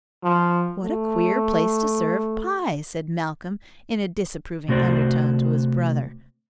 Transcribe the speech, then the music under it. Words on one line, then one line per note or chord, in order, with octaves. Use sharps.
"What a queer place to serve pie," said Malcolm, in a disapproving undertone to his brother.
F3
A3
C3 A3 F#4 G#4 C5 D5